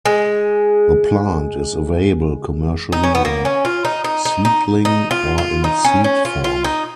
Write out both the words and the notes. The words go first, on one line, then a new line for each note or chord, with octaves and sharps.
The plant is available commercially in seedling or in seed form.
G#3
D#4
C#4
B3
A#3
C#4
F4
D#4
D#4
D#4
D#4
D#4
F4
F4
D#4
C#4
C#4
F4
F4
D#4